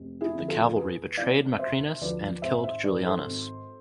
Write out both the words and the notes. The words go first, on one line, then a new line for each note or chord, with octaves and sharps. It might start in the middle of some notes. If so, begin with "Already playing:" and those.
The cavalry betrayed Macrinus and killed Julianus.
Already playing: F1
E4 G#4
F2 D3 F3
F4 A4
E2 G#4 B4
C3 E3 D5 F5
E1 C5 E5
D2 D3 F3 B4 D5
G#1 C5 E5
C5 E5
G#2 F3 B4 D5
A4 C5
G#1